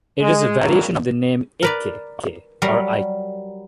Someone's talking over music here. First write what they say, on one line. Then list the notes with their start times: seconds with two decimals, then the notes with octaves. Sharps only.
It is a variation of the name Ekke or Eike.
0.21 G#3
0.60 G#1 G2 A#2 E3 F#3 A#4
1.62 A#4 B4 D5
2.62 F#3 G3 A#4